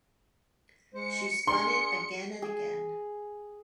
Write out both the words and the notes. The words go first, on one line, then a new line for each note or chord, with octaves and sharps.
She spun it again and again.
G#3 C5 C#7
D4 G#4 C6
G#4